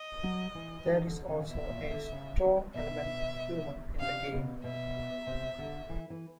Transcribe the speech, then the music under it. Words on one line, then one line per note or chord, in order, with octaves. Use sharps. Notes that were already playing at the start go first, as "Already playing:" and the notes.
There is also a strong element of humour in the game.
Already playing: D#5
F#3
E3
D#3
D3
C#3
B2 E5
A#2
D3
C#3
B2 E5
C3 F5
B2
B2 E5
C3
D3
E3
E3